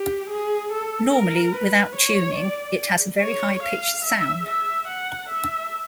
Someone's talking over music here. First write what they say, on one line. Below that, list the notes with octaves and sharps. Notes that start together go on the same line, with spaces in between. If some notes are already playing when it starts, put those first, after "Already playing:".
Normally, without tuning, it has a very high pitched sound.
Already playing: G4
G#4
A4
A#4
B4
C#5
D5
C#5
F5
E5
E5
F#5
E5